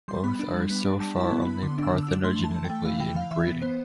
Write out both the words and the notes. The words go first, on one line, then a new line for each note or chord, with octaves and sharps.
Both are so far only parthenogenetically in breeding.
G3 C6
B3 B5
D4
G3
B3
D4
G3 A5
E4 A5
B3
B3 B5
D3 C6
D4 E6
D3
E6
D4
A3 C6
E3
A5
E3
G5
A3
E3 F5
E3 G5
E3 F5
E3 E5
B3
B3 C5